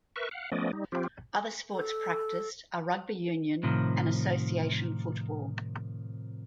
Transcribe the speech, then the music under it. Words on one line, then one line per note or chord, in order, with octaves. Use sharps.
Other sports practiced are rugby union and association football.
A#4 B4 E5 C#6
F5 F#5
F3 A3 B3 C#4 D5 D#5
G3 D#4
F3 C4 F4 G4
A4
A2 C3 D#3 F3